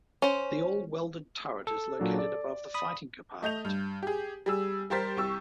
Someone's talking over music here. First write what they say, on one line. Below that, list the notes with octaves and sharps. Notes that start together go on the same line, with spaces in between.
The all-welded turret is located above the fighting compartment.
C#4 C5
A4
A#2 F#3 D4
D5
B5 D#6
A3 D#5 G6 F7
G2
G4 G#4
G3 G#4 E6
G3 G4 A#4 C5 A6 B6
C2 G4 C#6 E6